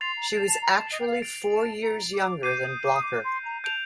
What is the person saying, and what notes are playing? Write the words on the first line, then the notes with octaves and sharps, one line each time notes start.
She was actually four years younger than Blocker.
C6 A6 C7 F7
A#5
A5
A5
A#5
A5
D#5
G5
F5
A6 D7 F7
A5
A#5
D6
D6 G6 C7 D#7
D#6
D6
D#6
D6
C6
A#5
A5 G6 D7 F7